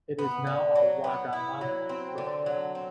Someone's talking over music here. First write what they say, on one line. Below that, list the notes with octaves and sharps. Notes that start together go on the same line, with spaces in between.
It is now a Wagamama restaurant.
B3
D3
F#3
B3
E4
F#3
C4
D3
F#3
C4